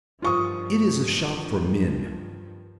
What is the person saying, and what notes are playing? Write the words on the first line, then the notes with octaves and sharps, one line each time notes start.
It is a shop for men.
G2 D#3 F3 F4 C#6 D#6